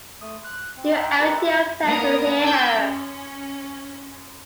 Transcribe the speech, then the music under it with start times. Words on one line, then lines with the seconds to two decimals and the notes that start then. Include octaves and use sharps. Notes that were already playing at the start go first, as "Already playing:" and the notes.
You owe it to yourself to hear her.
0.21 A3 D#6
0.44 F#6
0.77 C4
0.94 D#4 E5 F#5 G5
1.20 D#4 G4 A#4 B4
1.37 E5
1.85 A#3 B3 A#4 A#5 D#6
2.40 G#5 D6 E6 G6
2.71 C#4